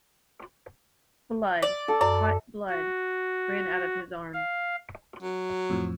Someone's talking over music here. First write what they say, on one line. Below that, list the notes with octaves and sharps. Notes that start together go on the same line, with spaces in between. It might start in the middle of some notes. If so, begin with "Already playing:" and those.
Blood, hot blood, ran out of his arm.
D5
A4
F#2 D5
F#4
F5
F#3
F2 A2 F3